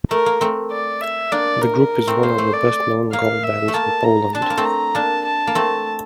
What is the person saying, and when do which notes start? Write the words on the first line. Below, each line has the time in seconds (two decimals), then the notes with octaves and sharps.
The group is one of the best known girl bands in Poland.
0.11 A3 A#4
0.26 A#3
0.41 A3 C4
0.72 D5
1.02 E5
1.32 A#3 D4 D5
1.62 A#4
2.07 A3 C4
2.23 A#3 C5
2.38 A3
2.53 D5
3.13 A#3 F5
3.44 E5
3.68 A3
3.74 A#3 A5
4.04 A#5
4.35 D4 A5
4.42 C4
4.50 A#3
4.57 A3 C4
4.65 A#5
4.95 A#3 D4 A5
5.26 A5
5.47 A#3
5.55 A3 C4